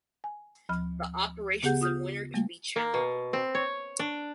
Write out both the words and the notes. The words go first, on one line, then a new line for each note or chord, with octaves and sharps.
The operations in winter can be challenging.
G#5
D2 F3 B5 F6
C#3 B3 G4 G#4 F#5 G6
F4 D#6 F6 G6
G3 A3 A#3
A#3
B2
C4
C#5
D4